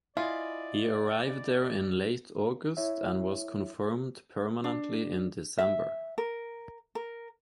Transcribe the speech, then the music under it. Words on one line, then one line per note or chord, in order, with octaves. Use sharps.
He arrived there in late August and was confirmed permanently in December.
E4 F4 D5 D#5 G#5 B5
E4 C#5 E5
D4
E5
A#4
A#4